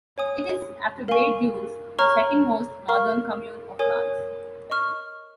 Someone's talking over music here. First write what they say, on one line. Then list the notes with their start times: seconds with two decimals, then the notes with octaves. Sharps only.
It is, after Bray-Dunes, the second most northern commune of France.
0.18 C#5 G#5 D#6
1.08 A#4 F5 G#5 C#6
1.99 C#5 A#5 C#6 F6
2.88 A#4 F5 C#6 F6
3.79 A#4 C#5 G#5 D#6
4.70 D#5 C#6 F6